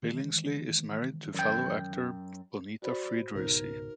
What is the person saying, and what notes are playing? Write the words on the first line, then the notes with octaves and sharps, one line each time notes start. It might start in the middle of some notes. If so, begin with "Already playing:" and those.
Billingsley is married to fellow actor Bonita Friedericy.
D#3 E3 G#3
F#2 G5
F#4 C5 D5 B5
C#2 G#2 B2 D#4 A#4